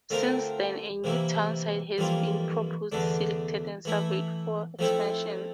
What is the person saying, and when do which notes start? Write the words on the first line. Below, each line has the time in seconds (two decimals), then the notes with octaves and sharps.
Since then, a new town site has been proposed, selected and surveyed for expansion.
0.10 D3 A3 C4 F4 A#4
1.04 C3 E3 A#3 E4
1.98 F2 E3 G3 A#3 F4
2.92 E2 D3 A3 D4
3.85 E3 A3 E4
4.79 F3 A3 C4 E4 A4